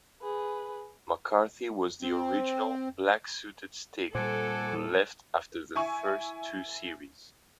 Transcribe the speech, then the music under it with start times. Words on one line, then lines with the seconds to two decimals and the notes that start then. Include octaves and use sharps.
McCarthy was the original, black-suited Stig, who left after the first two series.
0.22 G#4 B4
2.03 C4
4.15 A#2 G3 A4 C5 F#5 G#5 D6
5.75 E4 G#5 C#6